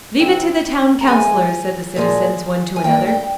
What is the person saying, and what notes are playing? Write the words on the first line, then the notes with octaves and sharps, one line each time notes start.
'Leave it to the Town Counsellor,' said the citizens one to another.
C3 F3 C4 G5
A#5
G#2 E3 G#3 G#5
A#2 F3 G#3
G#5
G2 E3 A#3 G5
G5